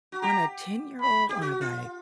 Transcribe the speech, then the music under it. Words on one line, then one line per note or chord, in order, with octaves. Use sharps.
On a ten-year-old on a bike.
F#4
G4 A#5
B5
G4
F#4
F4